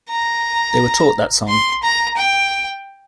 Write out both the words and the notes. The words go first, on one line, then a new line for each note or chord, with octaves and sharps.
They were taught that song.
A#5
C6
A#5
G5